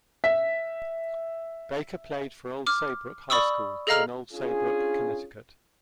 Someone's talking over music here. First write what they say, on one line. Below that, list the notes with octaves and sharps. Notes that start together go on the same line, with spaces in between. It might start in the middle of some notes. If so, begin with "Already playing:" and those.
Baker played for Old Saybrook High School in Old Saybrook, Connecticut.
E5 B6
D6 F6
D5 B5 C#6 D#6 E6
G#4 A4 D#5 F5 A#5 F6
C#4 D4 F4 G#4